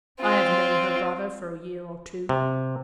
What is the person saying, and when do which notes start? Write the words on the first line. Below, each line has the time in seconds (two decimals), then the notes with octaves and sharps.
I have known her brother for a year or two.
0.20 C4 F4
2.29 C3